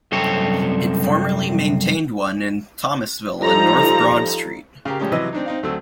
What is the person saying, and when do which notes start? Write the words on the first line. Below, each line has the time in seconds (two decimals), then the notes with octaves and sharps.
It formerly maintained one in Thomasville on North Broad Street.
0.12 C2 F#2 C4 A4 C#5
3.41 F3 G3 D#4 A4 A#5
4.85 C#3 G4 A#4
5.00 F3 G3 G#3 C#4 G4
5.12 C3 E3 F#3 B4 D#5 E6
5.33 C4 D4 D#4
5.46 C4 D#4 F5
5.63 D2 F#3 A3 C4 E6